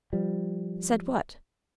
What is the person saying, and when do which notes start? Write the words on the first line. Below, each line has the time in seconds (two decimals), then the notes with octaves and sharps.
"Said what?"
0.13 F3 G3